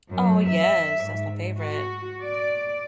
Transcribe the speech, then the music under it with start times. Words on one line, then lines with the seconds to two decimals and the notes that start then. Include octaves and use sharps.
Oh, yes. That's my favorite.
0.10 F#2
0.49 E5
1.03 G#2
1.59 F#4
2.22 D5